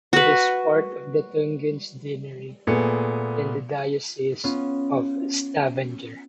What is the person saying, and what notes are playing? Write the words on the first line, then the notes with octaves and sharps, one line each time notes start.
It is part of the Tungenes deanery in the Diocese of Stavanger.
F#4 B4
A#2 A3 B3 G#4 C#7
B3 C#4 F4